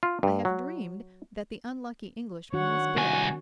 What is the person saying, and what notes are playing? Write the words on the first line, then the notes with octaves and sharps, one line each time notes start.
I have dreamed that the unlucky Englishman was dead.
F4
G2
F#3
D#3 D4 F#4 C#5 F#5
C2 G#5